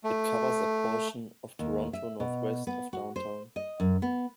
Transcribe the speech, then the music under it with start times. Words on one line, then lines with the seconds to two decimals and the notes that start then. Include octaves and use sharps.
It covers a portion of Toronto northwest of downtown.
0.04 A3
1.59 D#2
1.93 E5
2.20 B2
2.67 B3
2.93 F#4
3.16 C5
3.56 D#5
3.80 F#2
4.02 B3